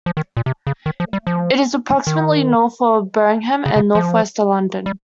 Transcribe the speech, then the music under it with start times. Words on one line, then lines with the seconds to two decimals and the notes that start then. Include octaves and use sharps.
It is approximately north of Birmingham and north-west of London.
0.06 F3
0.17 D#3
0.37 A#2
0.46 C3
0.67 C#3
0.86 D#3
1.00 F3
1.13 G3
1.27 F3
2.07 D#3
3.66 C#3
3.76 C#3
3.95 F3
4.86 G3